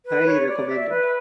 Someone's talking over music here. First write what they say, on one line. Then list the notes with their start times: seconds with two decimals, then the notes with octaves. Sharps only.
Highly recommended.
0.05 B4
0.26 C#5
0.47 D5
0.68 E5
0.89 B4